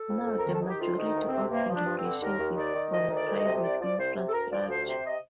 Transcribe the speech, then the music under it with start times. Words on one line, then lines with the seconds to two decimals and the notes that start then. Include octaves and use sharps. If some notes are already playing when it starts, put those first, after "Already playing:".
Now the majority of irrigation is from private infrastructure.
Already playing: A4
0.09 F2
0.27 F2
0.39 A#4
0.45 D#3
0.53 A4
0.62 D#3 G4
0.80 D2 F4
0.98 D#3
1.03 D#4
1.16 D2
1.27 C4
1.33 C3
1.50 G2 A#3
1.69 F3
1.74 D4
1.86 G2
1.97 C4
2.04 D3
2.21 D#2 A#4
2.39 D#2
2.57 D#3 D5
2.75 D#3
2.92 D2 D#5
3.10 D#3
3.16 D5
3.27 D2
3.39 D#5
3.45 C3
3.62 C2 D5
3.81 F3 D5
3.98 C2 C5
4.16 C3
4.28 A4
4.33 D2 A#4
4.51 F3 D5
4.68 D2 C5
4.87 C3 C5
5.04 D#5